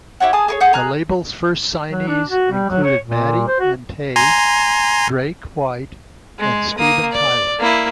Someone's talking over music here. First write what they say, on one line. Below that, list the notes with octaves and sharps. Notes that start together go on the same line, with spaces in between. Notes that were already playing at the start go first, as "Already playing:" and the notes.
The label's first signees include Maddie and Tae, Drake White, and Steven Tyler.
E4 G4 C#5 F#5
G#4 G#5 A5 D#6
G#4 A#4 C#5
G#4 F#5 G6
G#4 A#5 F6 F#6
F#3
D4
F#4
G3
F#3
C#5
A#2
C5
F#4
G#5 A#5 C6
G#3
A#3 D#6
D5
A#3 E4